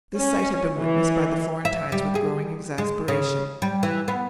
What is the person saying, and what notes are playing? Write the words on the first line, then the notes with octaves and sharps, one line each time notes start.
This sight had been witnessed by the Florentines with growing exasperation.
C#4
E3
E5
G3
G#4
G#3
C#3
G3
E3
B3